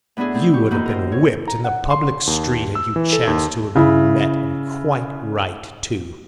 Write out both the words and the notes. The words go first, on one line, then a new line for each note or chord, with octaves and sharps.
You would have been whipped in the public street had you chanced to have been met, and quite right, too.
A2 B3 D4 E4 G#4
A3 C4 E4
G4 C#6
D#2 A#3 D#4 E4 F#4 G6
A#4 C5
C#5
A#5
F#5
C6
D#2
E6
E3
A4
D#2
C#3 E4